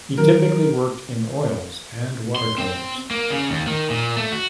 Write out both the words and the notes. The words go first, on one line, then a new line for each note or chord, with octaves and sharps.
He typically worked in oils and water colours.
D#3 F#3 A#4
C6
C4
A#3
C#3
D#2
D#3
A#2
A3
F#4